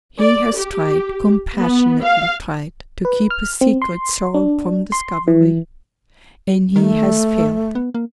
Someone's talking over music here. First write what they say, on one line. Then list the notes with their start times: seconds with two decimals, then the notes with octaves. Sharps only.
He has tried, compassionately tried, to keep his secret sorrow from discovery, and he has failed.
0.20 D5
0.58 G4
1.58 B3
2.03 F5
3.05 B4
3.30 F6
3.61 C4
3.82 C6
4.34 D4
4.92 C6
5.28 E3
6.76 D#3 A3
7.39 G1
7.75 B3
7.94 A#3